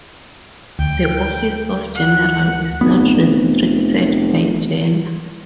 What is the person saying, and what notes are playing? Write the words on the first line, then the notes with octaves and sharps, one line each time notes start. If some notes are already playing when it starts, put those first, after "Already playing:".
The office of General is not restricted by gender.
D2 G5
F#5
F1 B3